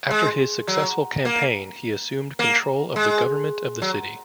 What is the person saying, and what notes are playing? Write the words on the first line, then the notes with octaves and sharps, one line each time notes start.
After his successful campaign he assumed control of the government of the city.
G#3
F#3
A#3
A#3
G#3
F#3